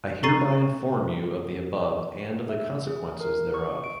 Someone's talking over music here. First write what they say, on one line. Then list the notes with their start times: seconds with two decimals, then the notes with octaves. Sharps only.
I hereby inform you of the above and of the consequences thereof.
0.23 A4 A#5 C#6 A6 C7 D#7
2.49 E5
2.87 G#4
3.21 A#4
3.54 C#6
3.84 D7